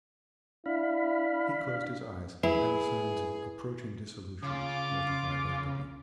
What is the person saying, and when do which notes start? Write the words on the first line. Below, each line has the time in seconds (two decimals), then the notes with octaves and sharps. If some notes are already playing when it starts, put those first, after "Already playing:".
He closed his eyes, and the signs of approaching dissolution multiplied rapidly.
0.66 D4 E4 F5 B5
2.43 E4 G#4 B4
4.43 C#3 F4 D6